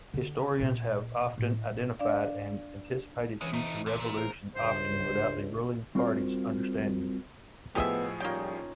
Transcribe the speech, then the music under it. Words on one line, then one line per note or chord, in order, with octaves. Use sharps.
Historians have often identified an anticipated future revolution, often without the ruling party's understanding.
D3
A#2 F4
A2
D4 D5 F5
E3 G#3 C4 C#4
A3 D#4
E2 C3 E6
A#2
F4 G#4 A#4 C5
C#2 G2 C5
G3 C4 F4 F#4 A#4 C5
A2 F3 B3 G4 G#4 D#5 E5
G3 A#3 C#4 D#4 F4 G5